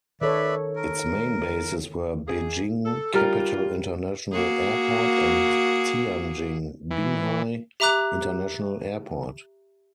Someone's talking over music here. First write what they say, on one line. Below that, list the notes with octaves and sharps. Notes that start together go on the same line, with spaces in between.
Its main bases were Beijing Capital International Airport and Tianjin Binhai International Airport.
D#3 A4 B4 C#5 D5 E5
A#4
D#3 A#3 G#4
A4
G3 D4 F4 A#4
A#3 F#4 G#4
E3
G4 E5 A#5 D6 F#6 F7